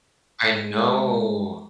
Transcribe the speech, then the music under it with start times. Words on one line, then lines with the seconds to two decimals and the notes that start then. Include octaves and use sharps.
I know.
0.54 G#3